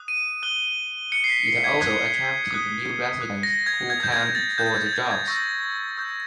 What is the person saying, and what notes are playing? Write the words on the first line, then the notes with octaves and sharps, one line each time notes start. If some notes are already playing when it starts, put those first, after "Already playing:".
It also attracted new residents who came for the jobs.
Already playing: D#6 F#6
D#7
D#6 F#6 G7
D#6 F#6 C#7
C7
B6
C7
G#6
D#6 F#6 G#6
D#6 F#6
D#6 F#6
A#6
G#6
D#6 F#6 G#6
G6
G#6
G#6
A6
D#6 F#6 G6
G#6
A6
G#6
G#6
C#6 E6 G6 A#6
C#6 E6 G6